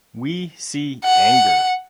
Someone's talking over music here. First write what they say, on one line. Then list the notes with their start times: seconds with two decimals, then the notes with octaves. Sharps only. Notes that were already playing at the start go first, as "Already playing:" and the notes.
We see anger.
1.04 F#5